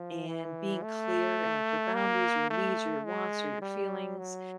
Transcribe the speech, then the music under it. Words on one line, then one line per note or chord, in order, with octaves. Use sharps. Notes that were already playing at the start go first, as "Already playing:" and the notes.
and being clear in, like, your boundaries, or your needs, or your wants or your feelings,
Already playing: F3
E3
A3
A#3
A3
G#3
G3
F#3